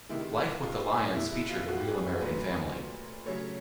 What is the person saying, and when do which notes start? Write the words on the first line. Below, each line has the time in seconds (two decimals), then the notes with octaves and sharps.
"Life with the Lyons" featured a real American family.
0.09 C3 D#3 G#3 E4
0.62 F4
1.14 B2 G#3 E4
1.32 E4
1.50 F4
1.68 F#4
1.80 G4
1.93 G#4
2.21 A#2 F#3 A3 B4
3.26 C#3 F#3 A3 C#5